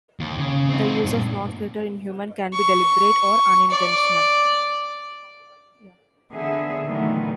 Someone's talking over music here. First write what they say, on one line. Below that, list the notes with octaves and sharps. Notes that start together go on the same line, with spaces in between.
The use of non sequitur in humor can be deliberate or unintentional.
D#2
C#3
C4 D#4
G2 A#2
C#6
D5
D3 B3 G#4 E5
A#2 D#3 E3 F#3 A3 B3